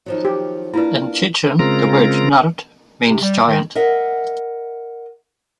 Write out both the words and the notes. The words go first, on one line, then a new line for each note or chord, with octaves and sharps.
In Chechen the word "nart" means "giant".
D#3 F3 F#3
G4
A#3 D4 E4 F4 B4
C#3 G#3 C4 F4 A#4 A#5
C3
G3
D#3
A#4 D#5 E5 F#5